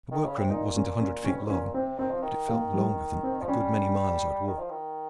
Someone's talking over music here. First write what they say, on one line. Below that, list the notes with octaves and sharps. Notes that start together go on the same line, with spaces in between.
The workroom wasn't a hundred feet long, but it felt longer than a good many miles I've walked.
D#3
C#3
C3
A#2 D#4
C#4
C#4
F2 C#4
G2
G#2
A#2 C#4
C3 C4
D#3 C4
F3
D#3
A#3
G3
C4
F3
G3 C#4
D#3
F3
D#3